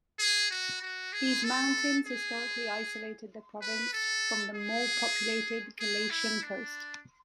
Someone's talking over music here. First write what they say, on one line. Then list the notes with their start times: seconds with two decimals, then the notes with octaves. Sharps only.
These mountains historically isolated the province from the more populated Galician coast.
0.19 G#4
0.50 F#4
0.82 F#4
1.13 G#4
1.44 A4
2.06 G#4
3.61 B4
3.93 A4
4.55 G#4
5.79 G#4
6.10 E4
6.42 D4